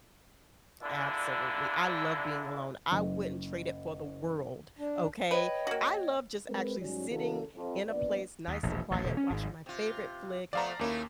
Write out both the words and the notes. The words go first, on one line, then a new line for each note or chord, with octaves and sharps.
Absolutely. I love being alone. I wouldn't trade it for the world, okay? I love just actually sitting in a place nice and quiet, watching my favorite flick,
A#2 D3 G#3 D4 E4
F#1
D4
B4 C#5 D#5 G5
A#3 F#4
G#3 C4 A#4 B4
G#2 F#3 G3 C#4
C#3 E3 G#3 A#3 F#4 A4
F2
A#1 B3 D5
D#2
E1 A#1
A1 D#2
D#1 A#2 D3
C#4
G#1 G#2
C3 F4
F3 A3 B3 D5 F5 A#5
D#2 A3 A#3 C#4 E4